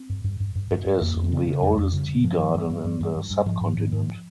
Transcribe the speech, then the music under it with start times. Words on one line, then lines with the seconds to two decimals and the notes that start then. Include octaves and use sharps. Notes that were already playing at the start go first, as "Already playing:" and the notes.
It is the oldest tea garden in the subcontinent.
Already playing: C4
0.09 G2
0.24 G2
0.40 G2
0.55 G2
0.71 G2
0.86 G2
1.01 F2 A#3
1.16 F2
1.32 C#3
1.47 C#3
1.62 F2 G3
1.78 F2
1.93 C#3
2.09 C#3
2.23 G2 F3
2.38 G2
2.54 G2
2.70 G2
2.84 G2
3.01 G2
3.16 G2
3.30 G2
3.46 G#2 F3
3.61 G#2
3.77 G#2
3.92 G#2